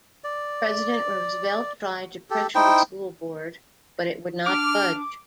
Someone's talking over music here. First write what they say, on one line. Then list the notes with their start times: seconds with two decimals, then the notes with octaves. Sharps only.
President Roosevelt tried to pressure the School Board, but it would not budge.
0.24 D5
2.30 G4 A4
2.55 D#4 E4 C5 G5
4.46 D4 D6 F6